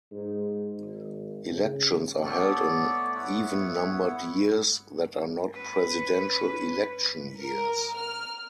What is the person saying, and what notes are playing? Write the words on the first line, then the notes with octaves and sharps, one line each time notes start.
Elections are held in even-numbered years that are not presidential election years.
G#2
G#1
C#3
A3 B3 C#5 D5
B3 E4 C#5 F#5
C#4 B4
A#4
F6